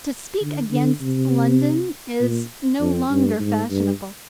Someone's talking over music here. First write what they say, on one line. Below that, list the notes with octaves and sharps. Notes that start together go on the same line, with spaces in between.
To speak against London is no longer fashionable.
D3
D3
C3
A#2
F2
G2
G#2
G2